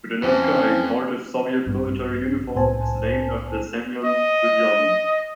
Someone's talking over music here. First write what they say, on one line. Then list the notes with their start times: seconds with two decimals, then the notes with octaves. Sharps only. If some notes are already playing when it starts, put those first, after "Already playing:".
Budenovka, a part of Soviet military uniform, is named after Semyon Budyonny.
0.23 F2 E3 F3 C#4
1.66 A#1 G2
2.55 C2 A2 B3 C5 G#5 A5
4.04 D#5